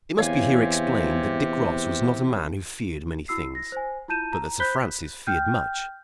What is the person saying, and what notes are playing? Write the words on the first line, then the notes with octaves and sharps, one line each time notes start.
It must be here explained that Dick Ross was not a man who feared many things; but that Sir Francis feared much.
E2 C3 C#5 F5 G#5
E4 F#4 E6 C7
A#6
C5 G#5
E4 F4 A5 G6 D#7 E7
A#5
C5 B5 F#6 G6 B6 G7
G5 F6 G6